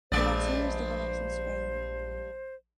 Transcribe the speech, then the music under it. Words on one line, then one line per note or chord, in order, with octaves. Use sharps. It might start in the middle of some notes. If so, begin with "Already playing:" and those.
The vaccine was developed in Spain.
A#1 G2 G#3 C5 D5